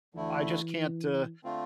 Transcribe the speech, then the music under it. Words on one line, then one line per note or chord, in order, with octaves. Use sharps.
I just can't, uh,
D2 D3 E3 A3 E4
D3 A3 C4 F4